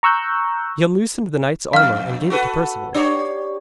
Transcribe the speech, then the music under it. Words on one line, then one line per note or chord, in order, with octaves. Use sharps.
He unloosed the knight's armour and gave it to Perceval.
A#5 C#6 E6 F#6 G6
F2 F5 F6
F#4 A4 B4
D4 G4 C#5